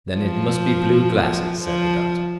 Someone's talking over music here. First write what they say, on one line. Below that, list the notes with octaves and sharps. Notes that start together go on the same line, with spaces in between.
"Then it must be blue glasses," said the doctor.
F3
F3